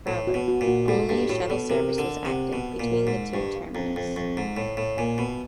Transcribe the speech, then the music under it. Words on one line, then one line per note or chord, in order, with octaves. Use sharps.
However, only a shuttle service was active between the two terminus.
A2 C5
F#4
B2
F#4
A#2
F#4
G#2 A4
G2 A4
A2 F#4
B2 A4
C3 A#4
A#4
D3
A#4
C3
F#5
B2 F#5
A#4
A#2
A#4
G#2
A#4
G2 C#6
F5
F2 A#5
F2 C5
F2 C#6
G#2 A#5
A2 C5
A2 F5
A#2 G#5
B2 B5